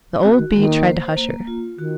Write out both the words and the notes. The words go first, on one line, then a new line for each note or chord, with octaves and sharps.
The old Bee tried to hush her.
C4 F#4
D#3
D#3 A#3
C5
A#3
F4
D#3 F#4